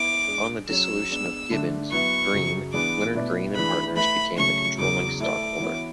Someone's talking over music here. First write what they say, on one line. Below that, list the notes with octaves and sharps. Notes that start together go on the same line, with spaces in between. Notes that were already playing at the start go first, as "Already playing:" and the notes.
On the dissolution of Gibbons, Green; Leonard Green and Partners became the controlling stockholder.
Already playing: B3 E4 B4 E5 D6
G#3 D4 G#4
F#3 C#4 G#4 C#5 E6
G#3 B3 D4
D3 A3 D4
F#3 B3 E4 B4 E5 C#6
F#2 C#3 F#3
E3 B3 D4 G#4 D6
B2 A3 E4 B4 D5
E3 A3 D4 G#4 B4 B5
A3 E4 B4 B5
C#3 F#3 A3 C#4 C#6
E2 C#3 F#3 D6
A3 E4 A4 D5 D6
E3 B3 F#4 C#5 E5